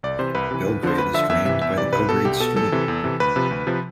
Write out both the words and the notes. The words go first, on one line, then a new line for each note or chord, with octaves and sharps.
Belgrade is drained by the Belgrade Stream.
C2 D5
C3 E3 C5
C2 B4
C3 E3
D2
D3 F3 C5
D2 B4
D3 F3 E5
E2 E5
C3 E3 E5
E2 E5
C3 E3 D5
C2 B4
B2 A4
C2 G4
B2 A4
E2 A4
C3 E3
E2
C3 E3
D2 B4
C3 F3
D2
C3 F3